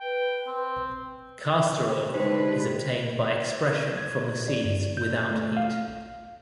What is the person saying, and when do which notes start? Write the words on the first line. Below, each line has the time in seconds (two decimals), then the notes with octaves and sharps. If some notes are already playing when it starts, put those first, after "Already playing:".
Castor-oil is obtained by expression from the seeds without heat.
0.01 B4 G5
0.47 C4
2.14 D3 G#3 D#4 G4 B4 C5
3.97 G#6
4.48 D5
4.64 G2
4.97 G6
5.31 A3
5.57 F5